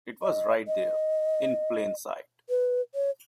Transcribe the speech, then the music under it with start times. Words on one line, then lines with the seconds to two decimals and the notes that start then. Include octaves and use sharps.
It was right there, in plain sight!
0.22 D#5
0.67 D#5
2.49 B4
2.95 C#5